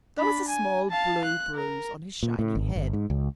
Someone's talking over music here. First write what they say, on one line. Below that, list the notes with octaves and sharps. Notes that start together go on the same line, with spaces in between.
There was a small blue bruise on his shining head.
D4 B5
G#5
F5 A5
F#6
A#4
A#2
A2
G#1
G1
G#2
C#2